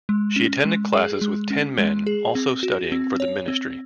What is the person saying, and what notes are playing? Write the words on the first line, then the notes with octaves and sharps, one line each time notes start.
She attended classes with ten men also studying for the ministry.
G#3
C#4
G#3
G#4
G#3
C#4
G#3
G#4
C4
F#4
C4
C#5
C4